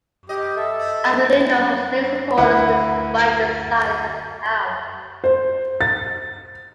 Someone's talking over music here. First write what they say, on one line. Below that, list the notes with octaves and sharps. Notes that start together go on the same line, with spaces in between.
Avellino has many supporters despite the size of the town.
B2 G4 D#5
A4 E5
C4
D2 E4 B4 F#5
C5
A6